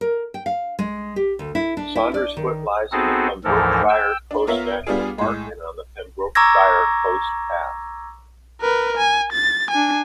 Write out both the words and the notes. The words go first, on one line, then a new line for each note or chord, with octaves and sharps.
Saundersfoot lies in the Pembrokeshire Coast National Park and on the Pembrokeshire Coast Path.
A#4
G5
F5
G#3
G4
D2
E4
D4
E4
D5
D#3
B3 C4 D#4 F#4 G#4 A4
D2 G#2 E3 F3 A4 A#4
G5 E6
D4
B3 F4 A#4 C#5 E5
G3 B3 D4 F4 G#4
A2 G#3
A#5 C#6 D6 E6 G#6 A#6
A#4 B4
G#5
A6
D4 G#5